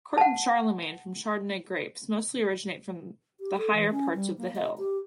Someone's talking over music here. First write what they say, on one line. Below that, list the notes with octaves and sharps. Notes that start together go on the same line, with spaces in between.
Corton-Charlemagne from Chardonnay grapes mostly originate from the higher parts of the hill.
F#5 A5
G4
A4
E3
C#4
G3
A#3
D#5
G4